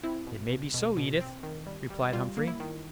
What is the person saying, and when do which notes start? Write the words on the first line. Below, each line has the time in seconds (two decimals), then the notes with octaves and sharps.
"It may be so, Edith," replied Humphrey.
0.03 C4 E4
0.27 B2
0.50 B2
0.74 B2
0.97 B2
1.20 C4
1.43 D#3
1.66 G3
1.90 G3
2.12 G3 F4
2.37 A#3
2.48 E4
2.60 D#3